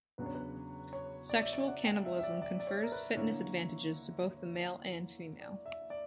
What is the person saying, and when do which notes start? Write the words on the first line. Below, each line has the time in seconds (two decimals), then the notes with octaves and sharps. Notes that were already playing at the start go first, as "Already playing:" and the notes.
Sexual cannibalism confers fitness advantages to both the male and female.
0.18 E2 C#3 F#3 B3 D4 B4
0.26 C#5
0.35 B4
0.93 C#5
1.30 D5
1.42 E5
1.53 D5
1.68 F#5
1.86 G5
2.05 E5
2.19 E5
2.23 D5
2.42 D5
2.60 D5
2.67 C#5
2.83 A#4
2.92 B4
3.16 D3 A#3 E4 C#5
5.41 D5
5.66 E5
5.90 D5